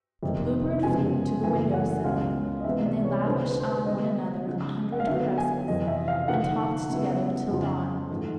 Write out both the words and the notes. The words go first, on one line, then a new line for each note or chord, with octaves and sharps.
The Blue Bird flew to the window-sill, and they lavished on one another a hundred caresses, and talked together till dawn.
F2 C3 D#3
F#2 C#3 F3 G#3 B3 G#5
F#2 C#3 E3 A3 G#5
F#5
C#2 B2 G#3 C#4 F5
D#5
C3 E3 G#3 B3 E5
D5
C#5
D3 G3 A#3 D4 F4 C5
B4
C5
B4
D3 G3 B3 D#5
C#3 F3 G#3
F#5
F5
D3 F#3 B3 E4 E5
G#5
F2 C3 E3 D#5
E5
F5
D3 F3 A#3 D#4 F#5
C#3 F#3 B3 E4
F2 C#3 F3
G#2 E3 A3